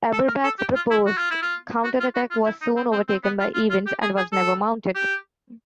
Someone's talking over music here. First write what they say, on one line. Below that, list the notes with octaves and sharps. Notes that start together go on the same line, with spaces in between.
Eberbach's proposed counter-attack was soon overtaken by events, and was never mounted.
A4
A#4
A4
G4
F4
E4
F#4
F4
E4
F4
F#4
F4
F#4
F4
E4
D#4
C4
C4
C4
B3
F4
F4
F4
G4
G#4
G#4
A4
G4